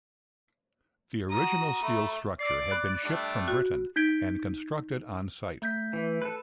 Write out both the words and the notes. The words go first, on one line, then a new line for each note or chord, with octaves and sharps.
The original steel structure had been shipped from Britain and constructed on site.
F#4 A#5 D#6
A3 B5
D5 E6 C7
B5 F#6
G3 A3 D4
F#4
D#4 G6 G#6 B6 D7 G7
A3 G6 B6
E3
A4 B4